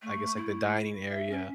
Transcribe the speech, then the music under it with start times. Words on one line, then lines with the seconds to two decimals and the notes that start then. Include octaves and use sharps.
I guess, like, the dining area
0.03 A3
0.36 E4
1.10 E5
1.30 C#4